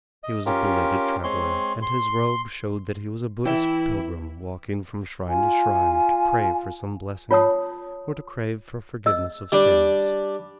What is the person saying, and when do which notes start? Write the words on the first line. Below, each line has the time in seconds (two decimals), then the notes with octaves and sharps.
He was a belated traveler, and his robe showed that he was a Buddhist pilgrim walking from shrine to shrine to pray for some blessing or to crave for forgiveness of sins.
0.23 D#5
0.46 C#4 F4 G4 A#4
1.23 G#3 C4 C#5 C6
1.82 C6
3.46 E3 E4 E5 G5
5.29 F4 G#5
7.31 F4 C#5 A5 D#6
9.06 D#5 E6
9.52 G3 D4